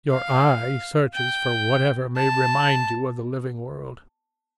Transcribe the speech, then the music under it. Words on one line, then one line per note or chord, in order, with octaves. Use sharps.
Your eye searches for whatever may remind you of the living world.
F5
G5
A5